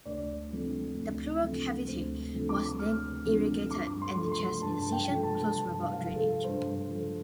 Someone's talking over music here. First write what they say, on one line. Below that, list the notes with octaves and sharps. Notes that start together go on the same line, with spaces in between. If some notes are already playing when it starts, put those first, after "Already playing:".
The pleural cavity was then irrigated and the chest incision closed without drainage.
D2 D5
D3 F3 A3 C4
D2
D3 F3 A3 C4
D2 C5
D3 F3 A3 C4
D6
D2 F6
D3 F3 A3 C4
G2 D6
C6
F3 A3
C6
G2 A5
G5
F3 A3
A5
G2 A5
F5
F3 A3
A4
G2 C5
F3 A3